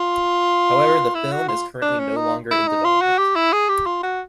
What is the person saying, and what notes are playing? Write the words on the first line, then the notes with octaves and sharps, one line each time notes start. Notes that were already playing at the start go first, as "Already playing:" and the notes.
However, the film is currently no longer in development.
Already playing: F4
E4
F#4
F4
D4
C#4
D#4
E4
D#4
F4
F#4
G4
E4
G#4
G4
F4
F#4